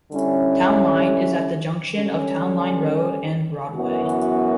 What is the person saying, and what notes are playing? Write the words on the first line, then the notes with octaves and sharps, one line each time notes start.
Town Line is at the junction of Town Line Road and Broadway.
D3 G3 C#4 E4
D3 G3 C#4
F#2 E3 B3 F#4